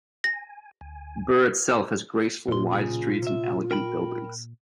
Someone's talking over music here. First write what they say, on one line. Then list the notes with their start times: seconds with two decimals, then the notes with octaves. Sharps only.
Birr itself has graceful wide streets and elegant buildings.
0.24 G#5 A#6
0.81 D2 G#5
2.48 F2 A#2 F4 C6
2.70 B1 C#3 G#4
3.22 C3 E5
3.71 A#4 G5 B5